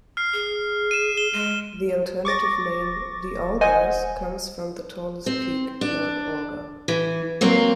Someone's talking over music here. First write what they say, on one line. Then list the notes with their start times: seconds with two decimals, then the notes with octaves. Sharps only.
The alternative name, "The Olgas", comes from the tallest peak, Mount Olga.
0.17 F6 C7
0.33 G#4
0.91 D#7 E7
1.17 E7 G7
1.34 G#3 D#7
2.25 C#6 D6 A6 A#6
3.61 C5 D#5 F#5 G#5
5.26 C4
5.81 D4
6.88 E3
7.41 F#3 A#3 C4